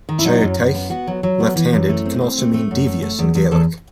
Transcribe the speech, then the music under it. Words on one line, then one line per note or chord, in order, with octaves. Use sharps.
"Chiotaich", "left-handed", can also mean "devious" in Gaelic.
D#3
E4
F#3 D#4
F#2
F#2
B3
B3 F#4
F#3
F#3
B3
E3
F#2
A3
C4
C4
A3
A3
F#2
A3
A3
E2
E2
E2 A4